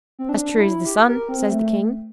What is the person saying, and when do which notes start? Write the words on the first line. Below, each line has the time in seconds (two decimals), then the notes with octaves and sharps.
"As true as the sun," says the king.
0.19 C4
0.29 D4
0.57 E4
0.85 G4
1.07 A#4
1.29 C4
1.50 A3